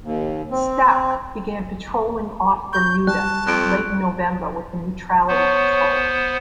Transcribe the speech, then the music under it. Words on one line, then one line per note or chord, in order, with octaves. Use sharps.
"Stack" began patrolling off Bermuda late in November with the Neutrality Patrol.
D#2
C4
C#6 G6
G3 A5 F#6
F2 F#6 D7
B3 C5 C#5